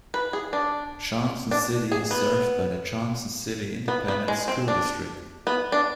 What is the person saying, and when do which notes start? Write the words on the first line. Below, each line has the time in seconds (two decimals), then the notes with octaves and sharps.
Johnson City is served by the Johnson City Independent School District.
0.14 B4
0.33 G#4
0.53 D4
1.51 D4
1.92 G#4
2.11 B3
3.88 B3
4.08 B3
4.28 G#3
4.48 C4
4.68 D4
5.47 B3
5.72 D4